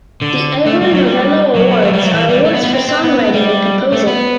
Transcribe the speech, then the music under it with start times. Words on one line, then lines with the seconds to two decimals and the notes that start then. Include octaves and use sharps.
The Ivor Novello Awards are awards for songwriting and composing.
0.22 D3
0.66 A3
0.81 G3
0.92 F#3
1.03 G3
1.55 F#3
1.71 B3
1.83 A3
1.93 G3
2.03 F#3
2.14 E3
2.29 G3
2.44 A3
2.53 B3
2.63 B3
2.73 C4
2.88 C4
3.04 B3
3.19 B3
3.34 G3
3.92 A3
4.07 B3